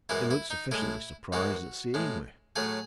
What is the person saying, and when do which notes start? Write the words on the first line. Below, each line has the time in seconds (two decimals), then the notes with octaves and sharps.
He looked sufficiently surprised at seeing me.
0.09 F#2 E3 G#3 E4
0.31 E4
0.50 D#4
0.71 A2 G#3 E4
1.32 F#2 E3 G#3 F#4
1.94 A2 G#3
2.56 A2 F#3 A3 G#4